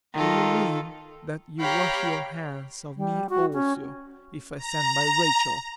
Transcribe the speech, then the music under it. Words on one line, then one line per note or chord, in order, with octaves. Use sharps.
"Do you mean that you wash your hands of me also, if I stand by Rachel?"
D#3 F4 A4
G4 C#5 F5 G5 A#5 B5
G3
F#4
C#4
A#5